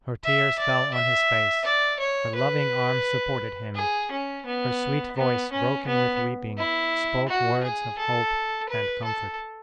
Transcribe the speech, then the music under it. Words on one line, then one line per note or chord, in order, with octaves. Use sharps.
Her tears fell on his face, her loving arms supported him; her sweet voice, broken with weeping, spoke words of hope and comfort.
E5
D5
E5
D5
C#5
B4
G#4
C#4
B3
B3
C#4
B3
E4
F#4
G#4
A4
B4
A4